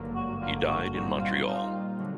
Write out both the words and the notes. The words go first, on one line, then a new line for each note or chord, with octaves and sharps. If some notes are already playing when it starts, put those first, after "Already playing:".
He died in Montreal.
Already playing: G#1 G2 D3 F#3 A#3
F#4
G#1 G2 D3 F#3 A#3 F4
F#4
A#2 G3 C4 D#4 F#4
F4
A#2 G3 C4 D#4 F4
D3 F#3